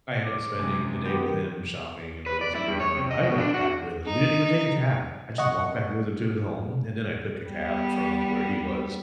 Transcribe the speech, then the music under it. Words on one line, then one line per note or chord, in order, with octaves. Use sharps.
I end up spending the day with him shopping, and then once we were done, I walked back with him. We didn't even take a cab, I just walked back with him to his home, and then I took a cab from where he was,
D6
C3 G#3
D#3 B3 G4
B4
D5
E4
G2
C#5
C3
D#5
B2
D4
F#4
D#4
D#5 F#5 C#6
G3 B3